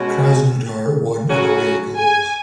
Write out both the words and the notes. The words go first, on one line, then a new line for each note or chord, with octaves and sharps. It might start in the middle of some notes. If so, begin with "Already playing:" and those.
Krasnodar won on away goals.
Already playing: B2 G#3 C#4 F#4
C#3 F#3 C#4 F#4
G#5